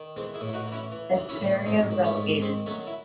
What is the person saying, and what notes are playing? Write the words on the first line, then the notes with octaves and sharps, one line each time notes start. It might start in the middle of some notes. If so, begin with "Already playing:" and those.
Esperia relegated.
Already playing: D#3
E3 G#3 C4
E4 G#4
A2
E4
D#4 F#4
E3
C#4 E4
E3
E3
C#4 E4
A2
G#2 C4 D#4
D#3
A3 C#4
G#2
D#3 G#3 C4
F#3 A3 C#4
E4